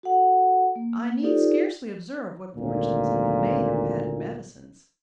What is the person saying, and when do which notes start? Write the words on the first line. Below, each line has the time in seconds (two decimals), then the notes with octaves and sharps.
"I need scarcely observe what fortunes have been made in patent medicines."
0.03 F#4 A4 F#5
0.76 A#3
1.22 D#4 F4 G4 A4 C5 D5
2.57 G#1 D2 A#2